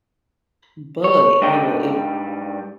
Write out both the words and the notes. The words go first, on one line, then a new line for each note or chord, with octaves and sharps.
but, you know, if
C#5
G#2 G3 D4 D#5 G5